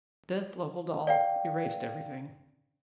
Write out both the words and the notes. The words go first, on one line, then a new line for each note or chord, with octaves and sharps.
Death levelled all, erased everything.
D5 F5 G5